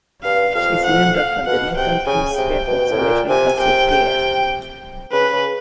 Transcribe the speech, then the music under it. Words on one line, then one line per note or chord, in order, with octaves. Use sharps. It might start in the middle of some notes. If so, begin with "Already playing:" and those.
She is named after the northern hemisphere constellation Cassiopeia.
G2 F5
F2 F5
F#5
F5
B2 F#5
C3 G5
C#3 G#5
C3 G5
B2
A2
A#2
C3 G#5
C3 G5
G5
C#3 B4
C#3